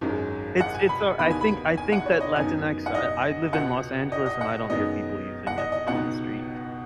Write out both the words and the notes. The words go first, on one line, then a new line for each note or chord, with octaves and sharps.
It's it's, uh, I think I think that Latinx I I live in Los Angeles, and I don't hear people using it on the street.
G#1 F#2 D#3 G#3
F#5
G#5
B5
D#2 D#3 B3 D#4 B5
G#5
B5
G#5
F#5
C#5
D#5
F#2 D#3 B3 D#4 G#5
F#5
D#5
C#2 B2 B3 F#5
D#5
D#5
F#5
F#2 D#3 G#3 B3 D#5
F#5
D#5
D#5
C#2 B2 B3 D#4 F#5